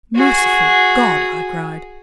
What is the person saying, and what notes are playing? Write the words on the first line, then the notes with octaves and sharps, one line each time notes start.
"Merciful God!" I cried.
F#4 G#4